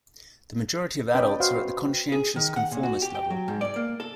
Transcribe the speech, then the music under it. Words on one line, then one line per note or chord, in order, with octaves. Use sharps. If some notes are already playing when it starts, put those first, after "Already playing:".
The majority of adults are at the conscientious-conformist level.
C#4 B4 D5 D#5 G5
F#4 C5 F5
G#4
D#3
F#5
A#2
F#4
G4
G5
F#3
G#2
D5
A#3
A4